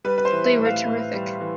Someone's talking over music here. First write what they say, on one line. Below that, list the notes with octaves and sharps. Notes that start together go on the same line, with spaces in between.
They were terrific.
G3 B4
B4
C5
E3
E5
A2
F5
A2
G3
E3